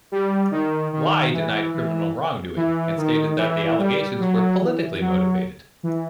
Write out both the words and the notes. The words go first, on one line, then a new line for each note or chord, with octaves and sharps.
Lai denied criminal wrongdoing, and stated that the allegations were politically motivated.
G3
D#3
D#3
E3
E3
E3
D#3
E3
G3
G3
F#3
E3
F#3
E3